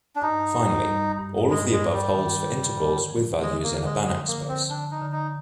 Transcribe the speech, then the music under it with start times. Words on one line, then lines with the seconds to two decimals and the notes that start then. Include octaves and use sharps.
Finally, all of the above holds for integrals with values in a Banach space.
0.16 D4
0.22 G2 D#4
0.55 G2
0.86 G3
1.18 G2
1.50 G2 G#3
1.72 G#3
1.82 G2
1.93 G3
2.14 D#3
2.46 G2
2.78 D3
3.10 F3
3.42 D3 G#3
3.63 A#3
3.74 D3
3.84 G#3
4.05 F3 G#3
4.27 A#3
4.37 D3
4.48 C4
4.69 D3 D4
4.91 D#4
5.01 D3
5.12 D#4